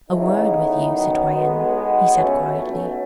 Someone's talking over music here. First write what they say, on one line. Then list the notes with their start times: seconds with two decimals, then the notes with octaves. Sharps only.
"A word with you, citoyenne," he said quietly.
0.10 E2 C#3 E3 B3 D#4
0.52 A1 A2 E3
0.92 F#2 D#3 F#3
1.33 B1 B2 F#3 G#3 B3
1.75 B1 B2 F#3
2.15 C#2 B2 F#3 A3 C#4
2.57 B1 B2 F#3 A3 C#4